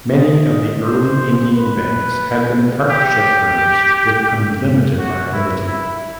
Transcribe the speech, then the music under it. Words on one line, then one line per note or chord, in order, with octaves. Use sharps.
Many of the early Indian Banks had been partnership firms with unlimited liability.
D#5
C5
B4
G4
F#4
E4
E4